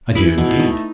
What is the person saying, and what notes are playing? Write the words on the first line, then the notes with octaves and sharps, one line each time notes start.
"I do, indeed."
E4 G#4 B4
B2
A3 D#4